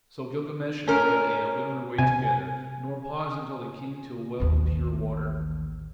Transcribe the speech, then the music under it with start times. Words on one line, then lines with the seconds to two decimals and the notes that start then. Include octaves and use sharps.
So Gilgamesh and Arad Ea went on their way together, nor paused until they came to a well of pure water.
0.88 C#4 A#4
1.98 C3 G#5
4.40 A1 D#2